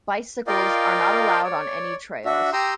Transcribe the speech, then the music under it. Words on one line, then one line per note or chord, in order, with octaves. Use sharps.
Bicycles are not allowed on any trails.
F4 A#4 D5 D#5 F5 G5
C#5 D5
D4 F#4 E5
G4 G5 A#5 C6 D#6 E6